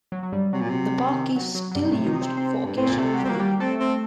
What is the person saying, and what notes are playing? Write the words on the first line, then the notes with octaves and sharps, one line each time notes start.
The park is still used for occasional filming.
F#3
F#3
G2 G3
C3 F#3
A#2
C3
D#3
F#3
F#3
F#3
G2 C3 G3
A2 A3
D#3 D#4
C4 C5
C4 C5
G2
A2 C4 C5
A#2
C3 A3 A4
F#4
G3 G4
C4
A#3
F#4
G3 G4
A3 C4 A4
C4